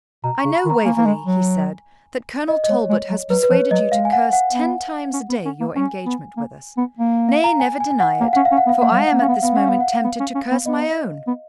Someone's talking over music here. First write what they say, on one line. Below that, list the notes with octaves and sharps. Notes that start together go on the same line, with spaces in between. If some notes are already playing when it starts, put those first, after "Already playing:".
'I know, Waverley,' he said, 'that Colonel Talbot has persuaded you to curse ten times a day your engagement with us; nay, never deny it, for I am at this moment tempted to curse my own.
B2 A#5
C#6
C#3
B5
D#3
A#5
A#3 G#5
A#3
G#3
F#3
D#5
D#5
G#3 C#5
G#3
F#3
F#3 B4
B4
F3 C#5
F#3 D#5
G#3 F5
G#5
F#5
F#5
B3
C#4
B3
C#4
A#3
C#4 G#5
B3
A#3
B3
A#3
F5
A#5
G#5
G#5
G#5
F#5
A#3 F5
C#4 F#5
F5
C#4
F#5
B3
F5
A#3 F#5
F#3
G#3 F5
F#5
A#3
C#4 F5
B3
F#5
B3 F5
C#4 F#5
B3 F5
F#5
F5
B3
C#4
C#4
B3
B3 D#5
B3